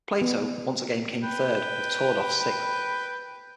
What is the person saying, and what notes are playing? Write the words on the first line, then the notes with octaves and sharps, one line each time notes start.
Plato once again came third, with Tordoff sixth.
B3
B4 G5